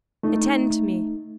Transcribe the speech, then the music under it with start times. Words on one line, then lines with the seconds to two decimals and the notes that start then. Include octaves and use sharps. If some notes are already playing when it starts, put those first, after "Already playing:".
"Attend to me."
0.23 A3 D#4